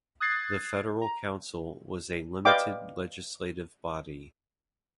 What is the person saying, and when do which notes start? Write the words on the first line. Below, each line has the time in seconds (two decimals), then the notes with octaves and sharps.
The Federal Council was a limited legislative body.
0.20 D#6 F#6 G#6 A6 C7
1.01 A#5
2.45 B4 D5 D#5 F5 G5 D6